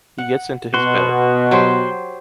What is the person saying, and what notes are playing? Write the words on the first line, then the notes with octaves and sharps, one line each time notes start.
He gets into his bed.
F#5
B2 F#4 C6
F#3 G4 C5